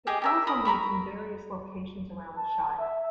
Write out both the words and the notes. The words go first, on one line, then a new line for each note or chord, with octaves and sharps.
The council meets in various locations around the Shire.
G4 G#4 D#5
G4 A#4 E5
A#4 B5 D#6
A#4 A#5 B5 C#6
A5
E5